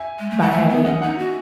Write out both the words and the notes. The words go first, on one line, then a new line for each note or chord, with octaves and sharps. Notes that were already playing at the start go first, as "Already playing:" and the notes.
by having,
Already playing: E5 G#5
G#3
A3
G#3 F#5
A3 E5 G#5
B3
C#4 D#5 F#5
D#4 D#5 F#5
F#4